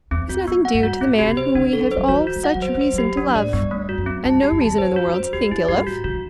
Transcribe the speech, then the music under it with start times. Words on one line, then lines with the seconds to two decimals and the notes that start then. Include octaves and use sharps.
Is nothing due to the man whom we have all such reason to love, and no reason in the world to think ill of?
0.11 E2 C4
0.29 E2 F#4
0.47 F#2 B3
0.65 F#5
0.74 G2
0.83 F#4
1.01 A2 C4
1.19 B2 G4
1.28 C3
1.37 C5
1.55 D3 D4
1.73 A4
1.82 F#3
1.91 C5
1.97 F#3
2.09 E3 F#4
2.27 F#4
2.36 F#3
2.44 F#5
2.55 F#3
2.62 C5
2.74 F#3
2.81 C5
2.93 F#3
2.98 G4
3.17 F#3 D4
3.35 A2 D5
3.53 G2 B3
3.71 G2 A3
3.89 F#4
3.98 F#2
4.06 C4
4.25 G2 A5
4.34 F#2
4.39 E2 G4
4.52 F#2
4.61 E2 A5
4.78 F#2 C5
4.96 F#4
5.06 F#2
5.14 C5
5.33 E2 G4
5.51 F#2 E4
5.68 G2 G4
5.87 A2 F#4
6.04 D3 F#4
6.14 E3